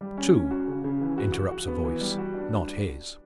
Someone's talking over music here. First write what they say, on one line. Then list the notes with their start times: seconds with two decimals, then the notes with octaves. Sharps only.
"Two!" interrupts a voice--not his.
0.01 G3
0.18 C#4
0.34 C#4
0.51 F#4
0.68 C#3
0.84 C#3
1.01 E3
1.18 F#4
1.34 F#4
1.51 F#4
1.68 B3
1.84 E3
2.01 G3
2.18 F#4
2.34 D4